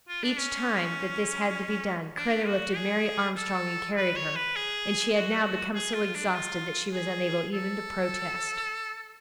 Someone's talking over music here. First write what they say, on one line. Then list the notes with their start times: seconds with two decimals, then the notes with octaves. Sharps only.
Each time that this had to be done, Kreta lifted Mary Armstrong and carried her, and she had now become so exhausted that she was unable even to protest.
0.08 F4
0.23 D4
0.38 C#4
2.17 D4
2.46 F#4
2.76 G#4
3.36 A4
3.96 B4
4.16 C#5
4.36 B4
4.56 G#4
5.15 F#4
5.75 G#4
5.94 F4
6.14 D4
6.34 F4
6.93 G#4
7.53 A4